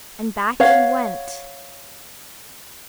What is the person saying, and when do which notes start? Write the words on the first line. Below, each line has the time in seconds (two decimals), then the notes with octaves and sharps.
And back he went.
0.60 C#5 F5 F#5